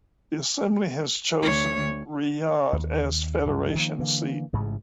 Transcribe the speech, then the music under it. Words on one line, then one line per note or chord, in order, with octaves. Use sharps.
The assembly has chosen Riyadh as federation seat.
D2 C#5
D#2
C2 F#2
D#3 F3 A#3
D3 E3 A#3
A1 G#2 C#3